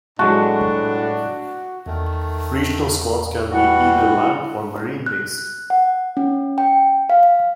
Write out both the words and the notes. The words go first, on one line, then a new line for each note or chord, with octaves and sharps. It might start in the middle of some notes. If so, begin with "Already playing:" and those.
Regional squads can be either land or marine based.
A2 F#3 G#3 D4 F#4 A5
E2 D#3 A3
E3 G3 E4 F#4 F#5
F#6
F#5
C#4
G5
F5